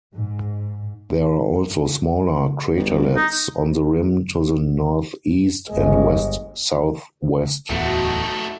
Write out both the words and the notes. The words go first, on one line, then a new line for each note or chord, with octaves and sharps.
There are also smaller craterlets on the rim to the northeast and west-southwest.
G#2
G1
D#4
G1 G#3
D1 E2 A3 D#4 F#4 A4